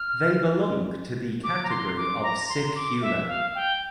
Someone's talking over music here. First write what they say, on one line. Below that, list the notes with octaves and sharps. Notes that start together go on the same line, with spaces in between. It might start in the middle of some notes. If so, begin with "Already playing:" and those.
They belong to the category of sick humor.
Already playing: F6
D6
A#5
C6
D6
A#5
C6
D6
E5
F5
G5